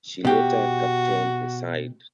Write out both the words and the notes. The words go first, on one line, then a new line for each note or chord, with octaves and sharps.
She later captained the side.
B2 F#4 G4